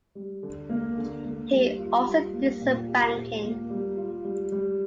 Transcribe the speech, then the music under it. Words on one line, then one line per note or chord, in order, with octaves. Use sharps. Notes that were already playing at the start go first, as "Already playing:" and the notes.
He also did some banking.
G3
D3
A#3
D3
A#3
G3
F4
G3
A#3
A#2
G4
A#2
A#3
G3
F4
G3
G3